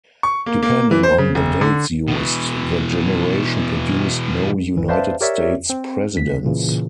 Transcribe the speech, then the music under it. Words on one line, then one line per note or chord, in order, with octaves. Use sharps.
Depending on the dates used, the generation produced no United States presidents.
C#6
A#3
A#3
E3
C5
C#3
F#1
D3
B2 E3
G#1 E3
B4 C5 D5 E5 F5 A5
G4 A#4 C#5 D5 E5
C4
D#2 B6
A#2 C#3 E3